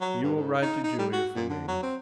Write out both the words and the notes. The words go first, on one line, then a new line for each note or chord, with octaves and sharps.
You will write to Julia for me.
F#3
G2
G#2
D#4
D#4
G3
F#4
A#2
D3
F#3
C4